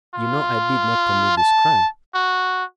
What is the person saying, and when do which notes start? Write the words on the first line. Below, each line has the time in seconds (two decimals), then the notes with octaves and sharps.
"You know I did not commit this crime."
0.15 F4
1.37 A5
2.14 F#4